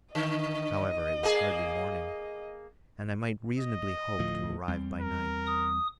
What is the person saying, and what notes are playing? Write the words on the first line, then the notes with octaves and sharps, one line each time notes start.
However, it was hardly morning, and I might reasonably hope to arrive by night.
D3 D#5
A#3 G#4
D#5
D2 A2 F3
E2 G3 C4
A#4
D#6